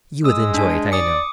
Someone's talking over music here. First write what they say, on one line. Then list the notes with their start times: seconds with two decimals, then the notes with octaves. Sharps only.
You would enjoy it, I know.
0.24 G#3 D#6 E6
0.54 D4 G#5
0.92 D5 D6 D#6 C#7